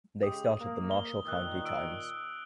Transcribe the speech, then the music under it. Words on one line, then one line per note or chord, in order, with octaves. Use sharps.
They started the "Marshall County Times".
C#3 G#3 G4 D#6
A#3
G7
A#2 D#3 D#6 E6 F#6
D#6 E6 D7